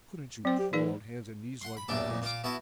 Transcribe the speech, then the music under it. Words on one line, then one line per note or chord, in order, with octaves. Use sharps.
Couldn't you crawl on hands and knees like the others?
F#3 C4 C5
G4
E3 D#4 G#4 D5
F#5 C6
B5
A1 E2 A#2 D4 A4
F2 A#2
A#2 F4 D6
B3 E4 F#4 A5